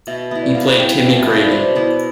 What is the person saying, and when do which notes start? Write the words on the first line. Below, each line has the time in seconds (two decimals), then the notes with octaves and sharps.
He played Timmy Grady.
0.07 B2 E5
0.31 B3 E4 E5
0.43 D5
0.55 B2 F5
0.79 B3 E4 G5
1.03 B2 F5
1.19 E5
1.27 B3 E4
1.36 E5
1.44 D5
1.51 B2 C5
1.61 D5
1.75 B3 E4